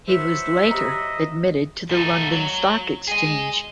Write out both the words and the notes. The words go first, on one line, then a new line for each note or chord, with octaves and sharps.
He was later admitted to the London Stock Exchange.
F#3 E4 B4 C5 E5
G4 D#5 A#5
A3 D#4
F#3
G#4 D#5